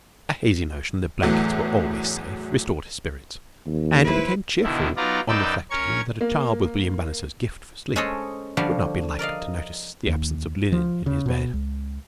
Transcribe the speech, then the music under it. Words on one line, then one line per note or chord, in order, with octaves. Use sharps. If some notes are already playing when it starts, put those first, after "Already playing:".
A hazy notion that blankets were always safe restored his spirits, and he became cheerful on reflecting that a child with William Bannister's gift for sleep would not be likely to notice the absence of linen in his bed.
E2 A2 E3 F#3 A3
D#2
E4 B4 C5
B2 D3 D#3 E4
F#3 B3 D#4 F4 D5 A#5
F#2 D#4 B4 D5 G5 E6
C#4 A#4 C#5 C#6 G#6
A#3
G#3 C#4 A4 C5 C#5 D#5
D3 F3 G3 F#4 G4 F5
A#4 D5 D#5 F5
D#2
F3
C#3
B2
C#2